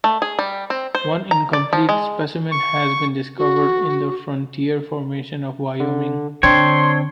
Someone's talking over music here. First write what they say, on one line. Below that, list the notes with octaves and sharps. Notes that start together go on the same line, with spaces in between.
One incomplete specimen has been discovered in the Frontier Formation of Wyoming.
A3
G#4
G3
C4
C5
A#5
D5
F3
G#3
C#6
F#4
D3
D3 C4 D4 C#5 G5 C6